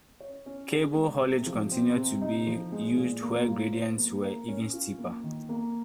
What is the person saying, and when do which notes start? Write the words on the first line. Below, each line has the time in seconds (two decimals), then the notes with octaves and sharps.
Cable haulage continued to be used where gradients were even steeper.
0.20 C#5
0.46 C#4
0.71 G#4
0.96 G#3
1.21 C3
1.46 F3
1.72 C4
1.96 C3
2.22 D#4
2.47 F3
2.72 G#3
2.97 A#2
3.22 A#3
3.48 F4
3.73 C5
3.98 A#3
4.23 A#4
4.48 C#4
4.73 F4
4.98 A#3
5.24 D#3
5.49 A#3